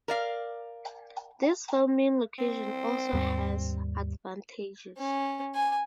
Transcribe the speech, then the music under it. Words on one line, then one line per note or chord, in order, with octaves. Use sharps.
This filming location also has advantages.
A#4 D5 F5
C4
D#2 G#2 G3
C#4
G#5